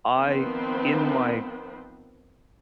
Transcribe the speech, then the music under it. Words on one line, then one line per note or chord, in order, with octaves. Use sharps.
I, in my
D#3 F3 B3 C4 B4 C5